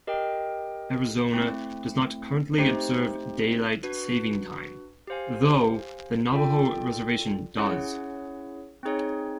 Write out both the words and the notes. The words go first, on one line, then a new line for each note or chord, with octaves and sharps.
Arizona does not currently observe Daylight Saving Time, though the Navajo reservation does.
G4 A#4 D#5 G5
A3 C4 E4
A3 C4 D#4 G4 C5
D4 F#4 B4
G4 C5 F5 G#5
F4 A4 D5 G5
C#4 E4 G#4 C#5 F#5
C4 D#4 G#4 C#5